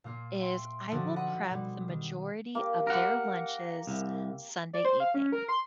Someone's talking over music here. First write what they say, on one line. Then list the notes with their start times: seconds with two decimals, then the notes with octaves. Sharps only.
is I will prep the majority of their lunches Sunday evening.
0.04 A#2 A#3 F4
0.40 E5 G5 C6
0.91 D3 F3 D#4 F#4 G4 A4
1.16 D#5 F#5 B5
1.50 B2 G3
1.88 D#3
2.55 A#3 G4
2.87 A#4 F#5
3.87 C2
4.73 D5
4.85 C5
5.00 F5
5.14 C#4
5.32 A#4
5.48 C6